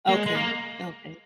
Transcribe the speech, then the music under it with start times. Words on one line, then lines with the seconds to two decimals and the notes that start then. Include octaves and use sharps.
Okay, okay.
0.09 A#3
0.14 G#3
0.27 G#3
0.36 A#3